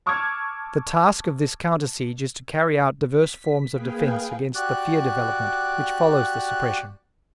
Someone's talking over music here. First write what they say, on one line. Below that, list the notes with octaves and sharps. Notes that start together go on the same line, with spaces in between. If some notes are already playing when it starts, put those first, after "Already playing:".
The task of this counter siege is to carry out diverse forms of defense against the fear development which follows the suppression.
A5 C#6 D6 E6 F6 G#6
B6
A#3 G#4 B4 F5 G5 G#5
F#4 G4 D5 F#6